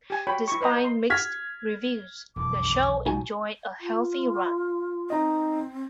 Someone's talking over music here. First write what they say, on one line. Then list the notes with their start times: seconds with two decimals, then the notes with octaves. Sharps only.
Despite mixed reviews, the show enjoyed a healthy run.
0.10 G4 G#5
0.27 F#4 C#5 G5 B5
0.48 E4 C#6
0.61 B4 C5 D#5 A#5
0.84 C6
1.10 F6 G#6 B6
2.36 E1 B1 F2 D3 D6
3.06 C2 A#2 F3 D#4 F#4 G#5
3.81 F4
5.10 C4 D#4 D#5